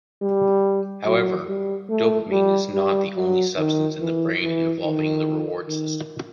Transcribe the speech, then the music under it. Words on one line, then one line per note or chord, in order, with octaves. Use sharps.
However, dopamine is not the only substance in the brain involving the reward system.
G3
F#3
G3
A3
G3
G3
F#3
D#3
E3
E3
D#3
D#3